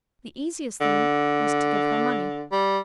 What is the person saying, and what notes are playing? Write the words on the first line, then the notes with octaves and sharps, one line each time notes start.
The easiest thing was to give her money.
D3
G3